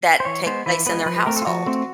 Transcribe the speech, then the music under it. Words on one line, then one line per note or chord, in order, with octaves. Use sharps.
that take place in their household
C5
E3 C#5
G#3 B3 C5
E3 B4
G#3 B3 B4
F3 B4
B4
A3 C4 A#4
A4
F4
F3 F#4
A3 C4